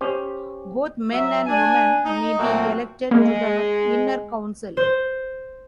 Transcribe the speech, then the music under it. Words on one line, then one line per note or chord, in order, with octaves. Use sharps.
Both men and women may be elected to the inner council.
C#4 G4 C5
F#3 E5
D4 G#5
D#4
A#2 F#3 A3 A#3 C4 F#4
G#3 A#3
C5